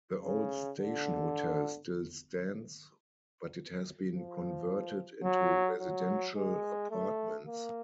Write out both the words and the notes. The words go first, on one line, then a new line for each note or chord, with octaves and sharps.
The old Station Hotel still stands, but it has been converted into residential apartments.
C#3
D3
F3
F#3
F#3
G#3
A3
A#3